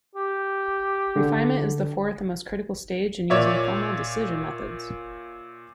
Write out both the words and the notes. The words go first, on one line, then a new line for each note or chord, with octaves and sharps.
Refinement is the fourth and most critical stage in using formal decision methods.
G4
D3
A#2 C#5 D5 E5